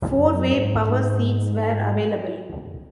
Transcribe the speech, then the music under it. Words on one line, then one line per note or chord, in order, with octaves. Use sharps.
Four-way power seats were available.
F#2
G#2